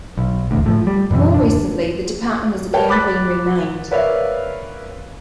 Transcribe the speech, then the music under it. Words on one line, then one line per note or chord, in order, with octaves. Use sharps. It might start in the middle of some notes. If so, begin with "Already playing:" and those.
More recently, the department has again been renamed.
B1
E1 A1 D2
A2 F3
G3
F#2 B2 D3 E3
D1 F2 D4
A#4 B4 C#5 G5 A5
B5 D6 F#6 A6 B6
A#4 B4 C#5 D5 E5 F5